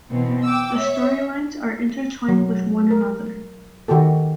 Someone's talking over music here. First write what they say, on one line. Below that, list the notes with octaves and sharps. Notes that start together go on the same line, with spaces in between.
The storylines are intertwined with one another.
B2 E3 C4
G5 D6 E6
C#5 E5
F#3
A#4
D#3 F#4 G4 A4